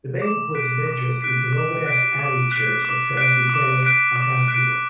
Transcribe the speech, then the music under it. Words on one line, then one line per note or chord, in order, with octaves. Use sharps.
The main point of interest is the Romanesque abbey church of "San Michele Arcangelo".
D6
F#6 B6 D7
D6
F#6 B6 D7
D6
F#6 B6 D7
D6
F#6 B6 D7
D6
F#6 B6 D7
D6
F#6 B6 D7
D6
F#6 B6 D7